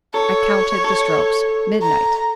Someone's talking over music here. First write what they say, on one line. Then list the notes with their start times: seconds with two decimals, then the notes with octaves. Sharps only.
I counted the strokes--midnight!
0.14 A4 C#5
0.84 A4
1.82 A#5